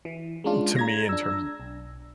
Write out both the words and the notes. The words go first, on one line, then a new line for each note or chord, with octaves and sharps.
to me in terms of
E3
G#3 C#4 D4 F4
A#5 G#6 A#6
D4 E6
B1